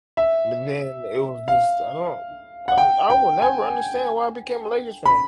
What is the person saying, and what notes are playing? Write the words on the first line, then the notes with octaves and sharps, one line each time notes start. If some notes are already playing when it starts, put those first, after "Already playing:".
but then it was just, I don't I I will never understand why I became a Lakers fan.
E5
F5
F#5
G5
G5
G#5
B5